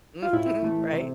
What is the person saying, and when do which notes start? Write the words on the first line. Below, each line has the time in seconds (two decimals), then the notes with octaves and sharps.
Mhm, right?
0.22 F4
0.33 A2 E4
0.63 E3 A3
0.93 C3